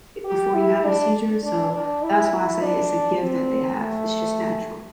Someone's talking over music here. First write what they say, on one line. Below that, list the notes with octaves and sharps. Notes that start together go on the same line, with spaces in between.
i before you have a seizure, so, that's why I say it's a gift that they have. It's just natural.
G4
E4
D4
D4
D4
E4
E4
D4
C4
A3